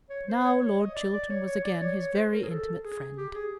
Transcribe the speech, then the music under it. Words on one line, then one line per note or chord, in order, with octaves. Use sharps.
Now Lord Chiltern was again his very intimate friend.
C#5
C5
C#5
C#5
D#5
D5
D5
C#5
C#5
D5
C#5
C#5
C5
A#4
G#4
A4
G#4
G4
G#4